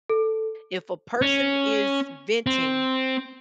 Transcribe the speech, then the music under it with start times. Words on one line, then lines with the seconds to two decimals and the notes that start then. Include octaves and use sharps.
If a person is venting,
0.09 A4
1.22 C#4
2.46 C4